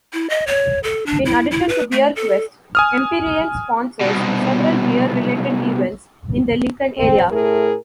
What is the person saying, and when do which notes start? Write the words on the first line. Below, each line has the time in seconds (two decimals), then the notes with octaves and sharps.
In addition to "BeerQuest", Empyrean sponsors several beer-related events in the Lincoln area.
0.13 E4
0.30 D#5
0.47 C#5
0.84 A4
1.06 D4
1.25 E4
1.51 E4
1.69 B4
1.92 A3
2.16 A4
2.75 G#5 D#6 F6
4.01 C2 B2
6.97 C4
7.31 A2 A3 G#4 A#4